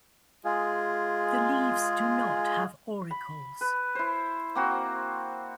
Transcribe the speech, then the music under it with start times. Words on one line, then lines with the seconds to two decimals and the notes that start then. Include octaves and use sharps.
The leaves do not have auricles.
0.45 G#3 F4 G#4
3.11 B5
3.61 B4
3.95 E4 C5
4.55 A#3 C4 F#4